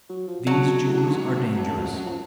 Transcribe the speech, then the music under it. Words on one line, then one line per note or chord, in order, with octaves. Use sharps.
'These Jews are dangerous.
F#3
F3
C#3 F#3
B2
A2
G#2
F#2
F2
F#2
F3